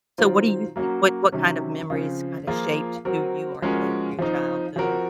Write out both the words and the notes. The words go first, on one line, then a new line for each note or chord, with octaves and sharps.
So, what do you think? What what kind of memories kinda shaped who you are today from your childhood?
D#3 F#3 C4 F4
F#3 A#3 C#4 F#4
C3 D#3 F#3 C#4
C#3 F3 C4
F3 A#3 F4 G#4
F#3 C4 F#4 A#4
F3 G#3 C#4 F#4 A#4
F3 C4 D#4
F3 C4 F#4 A#4